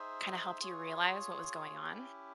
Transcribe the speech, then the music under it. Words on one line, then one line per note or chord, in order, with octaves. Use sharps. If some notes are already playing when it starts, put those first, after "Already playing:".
kinda helped you realize what was going on?
Already playing: D#4 G#4 C5 E5
F4 G#4 C#5
C#4 E4 G4